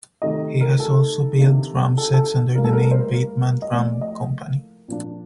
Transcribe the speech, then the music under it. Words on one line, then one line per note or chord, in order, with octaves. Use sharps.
He has also built drum sets under the name Bateman Drum Company.
C3 D#3 A3 D#5
A#4
A4
C3 D#3 A#3 D4
A4
A4
A2 G3 A#3 A#4
A4
A#4
A#4
C5
A#4
A#4
D#5
A2 F3 A#3 D5
D#5
A#2 F3 A#3 D4